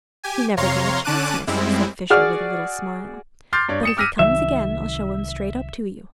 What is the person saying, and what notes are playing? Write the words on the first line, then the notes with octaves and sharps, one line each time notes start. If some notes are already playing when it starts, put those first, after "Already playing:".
"He never gave a chance, miss," said Fisher, with a little smile, "but if he comes again I'll show him straight up to you."
G4 G#5
F2 C3 C#5 F5 A#5 C6
D3 C#4 A5 D6 F#6 D#7
F#2 G3 G#3 C4 E4
F#4 G#4 D5 F6
C6 D6 F6 G6 A6 C7
G2 C#5 D5
D#6 C#7 E7
D6 E6 F6 A#6 B6 D#7
C2 D#3 F#3 E5